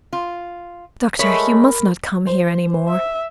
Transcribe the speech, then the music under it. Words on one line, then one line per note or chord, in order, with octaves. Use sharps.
Doctor, you must not come here any more.
F4
G#3 A3 A#4 C#5 B5
C5
E5